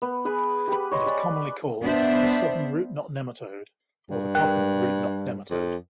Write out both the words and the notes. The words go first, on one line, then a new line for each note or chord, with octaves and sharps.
It is commonly called the "southern root-knot nematode'" or the "cotton root-knot nematode".
B3
G#4 B4 G#5
G4 B4
C#5 D#5 C6
B4 D5 G#5
B3 D4 C5 E5
G2
A#4 G5 F#6
F2